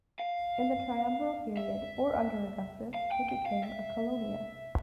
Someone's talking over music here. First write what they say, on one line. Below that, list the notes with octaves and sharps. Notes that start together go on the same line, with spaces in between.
In the triumviral period or under Augustus it became a colonia.
F5
E5
F5
G5
G5
F5
E5